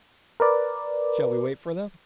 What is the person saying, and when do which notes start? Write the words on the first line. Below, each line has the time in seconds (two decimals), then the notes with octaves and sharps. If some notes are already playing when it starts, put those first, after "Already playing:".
"Shall we wait for them?"
0.40 A#4 B4 D5